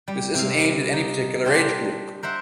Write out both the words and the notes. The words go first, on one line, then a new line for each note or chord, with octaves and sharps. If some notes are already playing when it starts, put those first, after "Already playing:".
This isn’t aimed at any particular age group.
G3
C3 F5
D#4
D4 G4 C5
A#4 C5 E5 F#5